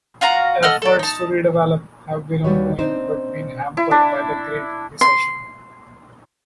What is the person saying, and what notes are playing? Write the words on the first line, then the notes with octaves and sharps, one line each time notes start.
Efforts to redevelop have been ongoing but been hampered by the Great Recession.
F4 F#4 F5 A#5
A4 D#5 F#5 F6
A4 D5
D#4 A5
D#2 G3 F#4 B4 C#5
C4 D4 D#4 C5
E4
D4
C6